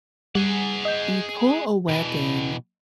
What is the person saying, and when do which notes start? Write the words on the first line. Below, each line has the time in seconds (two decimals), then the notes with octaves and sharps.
You pull a weapon,
0.35 G3 G#4 F#5
0.85 D#5 G6
1.88 B2 E3